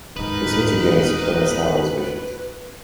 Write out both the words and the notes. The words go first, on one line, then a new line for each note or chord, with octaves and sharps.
This was against Kurosawa's wishes.
D#1 G#2 D#4 A#4 B4 D#5